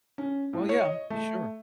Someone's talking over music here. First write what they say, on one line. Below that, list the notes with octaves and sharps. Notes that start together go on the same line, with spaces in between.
Well, yeah, sure.
C#4
A2
C#5
D#5
A3